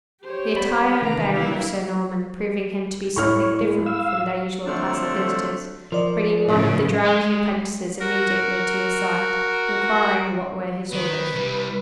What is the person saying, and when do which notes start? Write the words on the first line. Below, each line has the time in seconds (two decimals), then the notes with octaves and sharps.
The attire and bearing of Sir Norman proving him to be something different from their usual class of visitors, bringing one of the drowsy apprentices immediately to his side, inquiring what were his orders.
0.24 G4 C5 C#5
0.56 G3 B3 D5 B5
1.02 C3 D#3 E3 D4 B4 F5 A#5
1.34 A#3 E4
3.16 A2 C#5 F6
3.61 G#3
3.86 F5 E6
4.66 D3 F3 F#3 A3 C4 D4
5.92 F3 A#4 D5 D#5
6.48 A2 C#3 F#3
7.05 G#3
8.00 F#4 A#4
10.92 D#3 B4
11.34 C2 G3